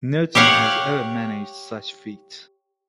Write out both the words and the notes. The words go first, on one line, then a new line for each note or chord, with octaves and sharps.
No team has ever managed such feat.
G4 C#5 F5 F#5